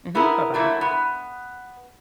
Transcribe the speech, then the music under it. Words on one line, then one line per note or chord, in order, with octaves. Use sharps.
Mhm, bye-bye.
B3 E4 G#4 A#4
F#3 A3 A#3 E4
B3